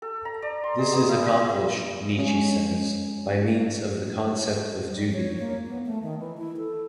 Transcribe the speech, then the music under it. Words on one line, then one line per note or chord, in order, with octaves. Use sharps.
This is accomplished, Nietzsche says, by means of the concept of duty.
A4
A#5
D5
C6
G#3
B3
E4
D#5
E4
G#3 C#4
G3
C#5
A#3
B3
A3
D#3
E3
E4
A4